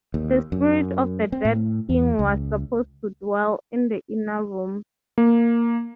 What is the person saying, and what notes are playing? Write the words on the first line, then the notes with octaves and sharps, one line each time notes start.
The spirit of the dead king was supposed to dwell in the inner room.
D#2
F#2
C4
A2
E2
C#2
A#3